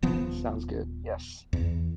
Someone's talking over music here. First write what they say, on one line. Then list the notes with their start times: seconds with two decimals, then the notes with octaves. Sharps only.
Sounds good, yes.
0.03 D#1 F3 B3
1.53 E2